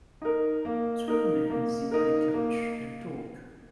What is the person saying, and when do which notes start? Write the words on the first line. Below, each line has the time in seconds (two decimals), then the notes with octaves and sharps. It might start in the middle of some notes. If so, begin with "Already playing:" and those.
Two men sit on a couch and talk.
0.22 D#4 A#4
0.65 A#3
1.08 D#4 A#4
1.50 A#3
1.91 D#4 A#4
2.34 A#3